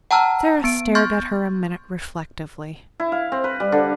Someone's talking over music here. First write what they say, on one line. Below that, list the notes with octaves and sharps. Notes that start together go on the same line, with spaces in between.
Sara stared at her a minute reflectively.
F#5 A5 A#5 E6 F6
B3 D7
C6 C#6 F6 G6 A6
E4
F5
C4
B4
G3
D3